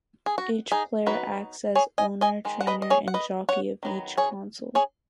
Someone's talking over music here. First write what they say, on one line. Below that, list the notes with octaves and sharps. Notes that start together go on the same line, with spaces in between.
Each player acts as owner, trainer, and jockey at each console.
G#4
F#4
D#4 G#4
F#3 B3 D#4 F#4 B4
G#4 C#5
D#5 G#5
D#5 G#5
D#3 G#3
F#5
B4 D#5
D#5
G#4 C#5
F#5
B4 D#5
C#5 F#5
D#3 F#3 B3
G#4 C#5
G#4 C#5